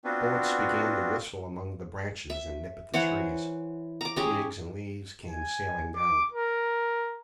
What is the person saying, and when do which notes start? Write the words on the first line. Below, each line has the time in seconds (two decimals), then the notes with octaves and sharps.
Bullets began to whistle among the branches and nip at the trees. Twigs and leaves came sailing down.
0.04 B3 C4 D4 F4 F#4 B4
2.30 E5
2.94 E3 C5 C#5 F#5
4.01 A#5 D6
4.16 C#4 G4 G#4
5.28 G#5
5.95 D6
6.33 A#4